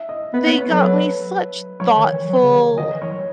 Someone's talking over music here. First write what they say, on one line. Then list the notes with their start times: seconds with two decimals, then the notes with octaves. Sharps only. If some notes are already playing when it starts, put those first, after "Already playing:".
they got me such thoughtful,
Already playing: E5
0.09 D#5
0.33 B3 B4
0.46 B3 C#5
0.58 C#5
0.70 F#3 A4
0.83 B4
1.80 F#3 C#5
1.97 D#3
2.13 E3
2.29 F#3
2.43 C#3
2.54 D#3
2.78 D#3 D#5
2.94 E3
3.02 C#5
3.11 F#3